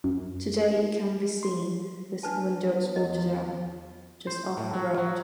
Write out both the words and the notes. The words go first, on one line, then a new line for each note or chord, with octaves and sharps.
Today it can be seen, with windows boarded up, just off the road.
F#2
C6
D4 B4 A5
B3
E2 D#3 F3 D#5
C5
A2
F#3
F#3